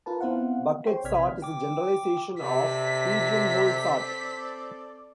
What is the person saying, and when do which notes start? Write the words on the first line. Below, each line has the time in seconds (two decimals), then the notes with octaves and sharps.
Bucket sort is a generalization of pigeonhole sort.
0.06 F4 A#4 B4 A5
0.21 B3 C4 E4 C5 F5 F#5
0.86 G#4 C5 C#5 G5 C6
1.04 A#1 C3 D5 F6 G#6 B6
1.42 G5 D6
2.41 C3 C4 A4 D5 B6